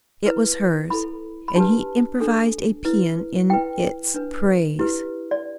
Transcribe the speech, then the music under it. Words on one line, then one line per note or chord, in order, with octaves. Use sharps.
It was hers; and he improvised a paean in its praise.
E4 B4
E4 A4 B5
B5
D4 G4 B4 A5
D4 A4
E4 B4
E4 B4 G5
D4 B4
E4 G4 B4
D5